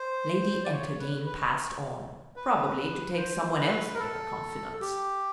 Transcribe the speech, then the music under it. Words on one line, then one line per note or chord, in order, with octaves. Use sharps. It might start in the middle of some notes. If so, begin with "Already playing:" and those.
Lady Enterdean passed on, probably to take some one else into her confidence.
Already playing: C5
D5
C#5
B4
B4
B4
C5
B4
A#4
A4
G4